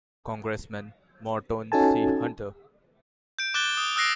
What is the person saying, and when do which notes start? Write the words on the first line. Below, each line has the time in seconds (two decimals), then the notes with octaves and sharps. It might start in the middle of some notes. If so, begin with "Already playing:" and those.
Congressman Morton C. Hunter.
1.72 C#4 D#4 F#4 A4 G#5 A5
3.39 G6 D7
3.54 D6 F#6 G6 A6 G7
3.77 D#6
3.96 D#6 E6 F#6 A#6 C7 D7